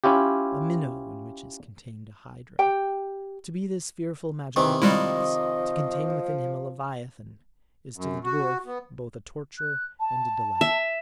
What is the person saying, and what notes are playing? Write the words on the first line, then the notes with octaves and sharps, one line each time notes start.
A minnow in which is contained a hydra. To be this fearful magical box, to contain within him a leviathan, is to the dwarf both a torture and a delight.
C#4 E4 F4 G4
G4 G5
C3 D#3 E3
F3 G3 G#3 E4 D#5
F#2
F#4
B3
F#6
A5
E5